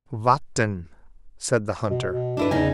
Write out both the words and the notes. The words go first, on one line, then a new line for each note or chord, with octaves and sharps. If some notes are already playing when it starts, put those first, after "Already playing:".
"Vatten," said the hunter.
B2
B2
G2 D4 E4 B4
E2 C#3 D#4 G#5